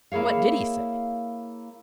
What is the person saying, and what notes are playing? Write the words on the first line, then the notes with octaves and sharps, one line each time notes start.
"What DID he say?"
A#3 E4 G#4 C#5 F5